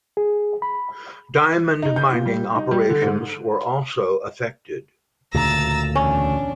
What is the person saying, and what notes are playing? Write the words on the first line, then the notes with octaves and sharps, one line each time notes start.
Diamond mining operations were also affected.
G#4
B5
D#4
G6
A#2
G3
D#4
G3
D3
G#2
D2 A#2 C#3 A#5 E6 A6
E2 C#4 D4